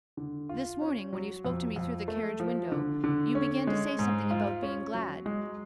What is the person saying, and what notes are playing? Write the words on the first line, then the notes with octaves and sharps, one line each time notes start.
This morning, when you spoke to me through the carriage window, you began to say something about being glad.
D3
F4
C#4
F#3
F2
F2
A3
F3
D3
D3
C#4
G#3
G#2
F4
C#4
F#3
G#3